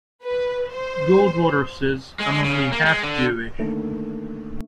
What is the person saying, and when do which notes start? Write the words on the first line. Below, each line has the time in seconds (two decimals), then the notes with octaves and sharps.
Goldwater says, I'm only half Jewish.
0.24 B4
0.73 C5
2.20 G#3
2.33 G#3
2.45 C#3
2.72 A#3
2.85 G#3
3.03 D3
3.58 D3 D#3 A3 A#3